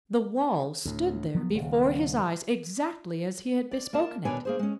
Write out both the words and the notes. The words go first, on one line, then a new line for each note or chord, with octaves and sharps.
The wall stood there before his eyes, exactly as he had bespoken it!
D2 A2
F3 F#3 B3
D#1 D#2 C#3
D5
A#3 A#4 A5
D#2 B2 D4 C#5 D5 G#5
A#3 G#4 C5
G#3 C#4